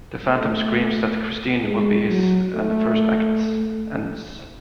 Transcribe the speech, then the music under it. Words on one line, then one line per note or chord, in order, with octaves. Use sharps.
The Phantom screams that Christine will be his and the first act ends.
A3
G#3
F#3
A3